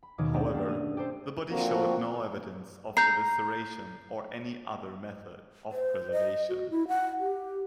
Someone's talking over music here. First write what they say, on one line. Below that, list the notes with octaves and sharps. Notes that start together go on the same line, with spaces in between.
However, the body showed no evidence of evisceration or any other method of preservation.
B5
D#2 B2 D#3 G#4 C#5 D6
B3 C#4 D4 G4 G#4 D5
A#3 A4
A3 D#7
G4 A4 C5 C6
A#2 D3 F3 A#3 C4 F#4
A#5 G6 C7
C5
D#5
F#4
E4
F#5
G4